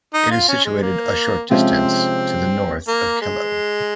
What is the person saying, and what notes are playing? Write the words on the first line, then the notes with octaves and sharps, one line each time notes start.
It is situated a short distance to the north of Kelloe.
D#4
F4
C#4
G#3
A#3
C3 F3 G#3 C4 C#4 F4
A#3
G#3